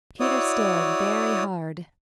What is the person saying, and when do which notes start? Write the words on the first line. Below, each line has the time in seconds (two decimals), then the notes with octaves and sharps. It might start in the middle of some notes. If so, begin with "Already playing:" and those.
Peter stared very hard.
0.20 E4 F#4 C#5 D5 D#6